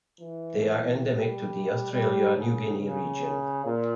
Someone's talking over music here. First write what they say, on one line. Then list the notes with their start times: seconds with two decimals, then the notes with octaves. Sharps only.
They are endemic to the Australia-New Guinea region.
0.20 E3
1.06 G3
1.93 G3
2.35 C#3
2.79 C#3
3.65 A#2